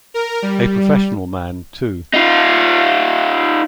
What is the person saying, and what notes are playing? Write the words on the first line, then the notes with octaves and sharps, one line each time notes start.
A professional man, too!
A#4
G3
D#4 F4